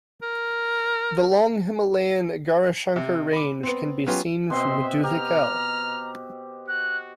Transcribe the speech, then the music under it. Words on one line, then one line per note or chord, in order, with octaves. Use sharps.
The Long Himalayan Gaurishankar range can be seen from Dhulikhel.
A#4
C3
B5 D6
B3 C4
F#3 B3 C#4 F4 G4
B2 C4 D#5 E5 C6
G4 A#5 F6
F#4 F#6